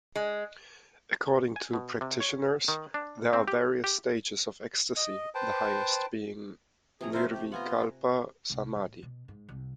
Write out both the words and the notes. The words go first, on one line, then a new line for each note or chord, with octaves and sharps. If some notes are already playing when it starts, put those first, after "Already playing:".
According to practitioners, there are various stages of ecstasy, the highest being Nirvikalpa Samadhi.
G#3
G#5
B2
C3
C#5
D#3
D4
C4
G4
G4
D#5
B4 C5 G5 A5
C3 F3 G#4 A#5
C3 A3 E4 A#4 C5
G4
B3 F4 F#5 G#5 A#5
C2
A2
B2
G#2
C2